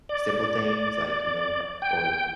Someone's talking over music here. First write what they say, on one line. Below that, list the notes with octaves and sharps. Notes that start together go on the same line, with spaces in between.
simple things, like you know or
D5
G5